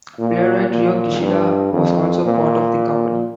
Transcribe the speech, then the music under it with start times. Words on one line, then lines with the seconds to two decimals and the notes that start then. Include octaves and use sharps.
Playwright Rio Kishida was also part of the company.
0.19 A#2
0.70 A#2
1.22 G2
1.73 F2
2.24 A#2